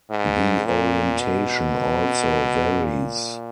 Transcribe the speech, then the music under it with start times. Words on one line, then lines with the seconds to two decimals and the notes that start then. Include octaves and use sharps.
The orientation also varies.
0.10 G#2
0.66 A#2
1.20 B2
2.84 A#2